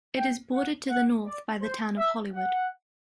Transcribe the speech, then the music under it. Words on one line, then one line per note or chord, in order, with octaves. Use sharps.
It is bordered to the north by the town of Hollywood.
G5
F#5
F#5
D5
C5
E5
F#5